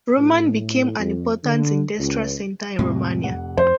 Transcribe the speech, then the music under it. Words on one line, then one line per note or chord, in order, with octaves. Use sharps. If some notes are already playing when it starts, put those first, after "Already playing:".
Roman became an important industrial center in Romania.
A2
F2
D3
C#2
C2 F2 A2 C3 G#3
F1 F#5
F2 C5